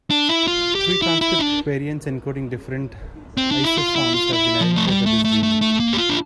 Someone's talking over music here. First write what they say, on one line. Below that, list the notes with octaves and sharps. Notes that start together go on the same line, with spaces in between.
Three transcript variants encoding different isoforms have been identified for this gene.
D4
E4
F4
G4
E4
E4
D4
C4
D4
E4
F4
E4
F4
E4
F3
A3
G3
A3
A3
A3
A3
A#3
G4
F4
D4